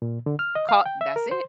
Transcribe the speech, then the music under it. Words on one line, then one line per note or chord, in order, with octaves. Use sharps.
Call That's it.
A#2
D3
F6
D#5
F5
G5
E5
A#4
C5